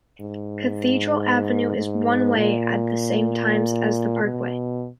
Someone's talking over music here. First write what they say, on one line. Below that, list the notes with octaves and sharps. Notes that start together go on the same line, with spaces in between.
Cathedral Avenue is one-way at the same times as the parkway.
G#2
G#2
A#2
B2